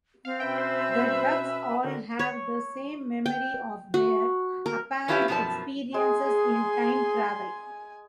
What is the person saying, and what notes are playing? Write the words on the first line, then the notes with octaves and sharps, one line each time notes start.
The Ducks all have the same memory of their apparent experiences in time travel.
C4 F5
B2 C#4 B4 E5 G5
C5
D3 F#4 A#4
C#5
G5
F#4
A#4
C#4 D4 E4 F4 G4 B4
F#2 B2 F3 G4 A5
G#3 G#4 G#5 C6